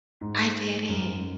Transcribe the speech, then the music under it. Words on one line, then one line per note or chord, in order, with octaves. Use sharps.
I didn't.
G#2
F#2